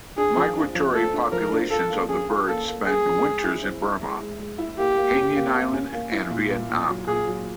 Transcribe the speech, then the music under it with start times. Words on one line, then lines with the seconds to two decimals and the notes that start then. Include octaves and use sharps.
Migratory populations of the bird spend winters in Burma, Hainan Island, and Vietnam.
0.17 D4 G#4
0.37 F3
0.56 D4
0.75 F3
0.94 A3 A4
1.13 D4
1.32 F3 A#4
1.52 D4
1.71 F4 A4
1.90 A#3
2.09 C#4 G#4
2.28 F4
2.47 A#3 A4
2.67 A#3
2.85 A#3 G#4
3.05 C#4
3.24 G#3
3.44 E4
3.63 C4
3.82 E4
4.01 G#3
4.20 G#3
4.40 G#3
4.58 E4
4.78 A#3 G4
4.97 A#3
5.16 C#4
5.35 A#3
5.54 A#3
5.73 C#4
5.93 A#3
6.12 E4
6.30 A#2
6.50 A#2
6.69 A#2
6.89 F#3
7.08 A#2 G#4
7.27 F#3